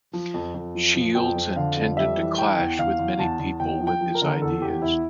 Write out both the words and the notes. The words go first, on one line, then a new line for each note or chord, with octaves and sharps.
Shields and tended to clash with many people with his ideas.
F3
F2
F2
F3
F3
F2 G5
F2
D3 F5
F2
G3 E5
E3
E3 G5
E2
E2 F5
E2
E2 A5
E2
E2 G5
F3
G5
F3
A#4
D3
E2 A4
E2 G4
E2 E4